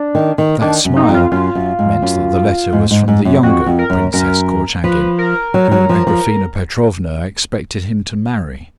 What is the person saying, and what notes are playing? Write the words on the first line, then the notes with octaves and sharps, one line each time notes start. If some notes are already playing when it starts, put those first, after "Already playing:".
That smile meant that the letter was from the younger Princess Korchagin, whom Agraphena Petrovna expected him to marry.
Already playing: D4
D#3
D#3
D#3 D4
F#2
D#4
F2
F4
F#2 F4
F#2
G#2
F#2
G#2
G#2
G#2
F#2
F2 F#4
F2
A#4
F#2
F#2 A#4
F3 B4
A#4
F#3
F#3
F3
F3